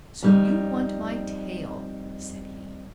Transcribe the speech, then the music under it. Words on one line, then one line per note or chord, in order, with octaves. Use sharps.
"So you want my tail?" said he.
F2 G3 D#4